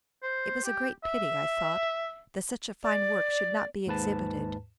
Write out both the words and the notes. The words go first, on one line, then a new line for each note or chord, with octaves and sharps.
It was a great pity, I thought, that such a fine work should not be exhibited.
C5
G4
E5
D5
D#2 G#2 B4 A5